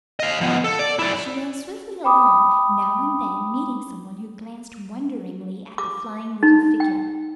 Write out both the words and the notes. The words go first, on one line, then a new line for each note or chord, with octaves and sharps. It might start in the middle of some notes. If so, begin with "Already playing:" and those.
She ran swiftly along, now and then meeting someone who glanced wonderingly at the flying little figure.
D#5 F5
F3 B3
A4
D5
E4 D5
G5 B5 D6 D#6
D6
D#4
G5